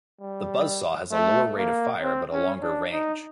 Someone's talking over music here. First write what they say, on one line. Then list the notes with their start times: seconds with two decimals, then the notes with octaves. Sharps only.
The Buzzsaw has a lower rate of fire but a longer range.
0.21 G3
1.11 A3
1.57 A#3
2.02 C4
2.32 C#4
2.61 D4
2.92 D#4